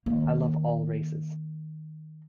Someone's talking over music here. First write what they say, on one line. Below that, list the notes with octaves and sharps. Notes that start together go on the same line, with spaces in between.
I love all races.
D#3 A#3